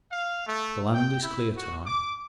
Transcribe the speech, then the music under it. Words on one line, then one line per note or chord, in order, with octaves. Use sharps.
The land is clear to-night.
F5
A3
G5
E4
F#4
D6